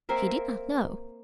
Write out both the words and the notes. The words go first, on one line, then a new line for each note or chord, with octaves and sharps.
He did not know.
A#3 C4 A#4 E5